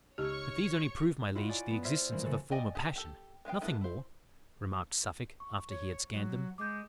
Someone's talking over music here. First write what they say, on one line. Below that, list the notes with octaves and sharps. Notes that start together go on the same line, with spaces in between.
"But these only prove, my liege, the existence of a former passion--nothing more," remarked Suffolk, after he had scanned them.
C#2 D#4 G4 C#5 C#6 F6
E4 F4 C#5 D#5 F#5 G5
G#4 D5 G#5
B3
C5 D5 E5 E6 F6 G#6
D#3 E3 G3 G#3 A#3 C4
C#3 A3 F#4 A4
D5 D#5 G5 G#5
G4 G#4
G4 A4
G#3 B3 F5 G5
G#3 A#3 B3 E4 A4
E4 C5
C#6
C#5
F#3
G#3 D6 G6